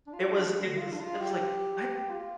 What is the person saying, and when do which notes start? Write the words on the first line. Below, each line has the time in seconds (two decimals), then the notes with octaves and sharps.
It was it was it was like, "What?
0.07 D4
0.13 F4
0.35 D4
0.46 A3
0.56 G3
0.68 D3
0.78 F4
0.92 D4
1.00 F4
1.21 G4
1.99 G4
2.10 F4